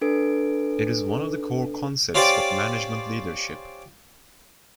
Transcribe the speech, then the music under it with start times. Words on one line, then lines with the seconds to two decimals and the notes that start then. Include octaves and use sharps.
It is one of the core concepts of management leadership.
0.01 D4 A4 B4 D7
2.15 C#4 F4 G4 C5 D5 G5